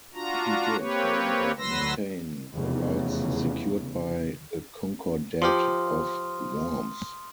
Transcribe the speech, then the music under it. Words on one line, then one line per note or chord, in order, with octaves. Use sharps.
He did, however, maintain the rights secured by the Concordat of Worms.
D4 F4 F#4 A#5
A#3 C4 G4 B4 C#5
D2 F#3 B4 C6 E6 A#6
F1 E2 C#3
F3 G4 C6 D#6 F6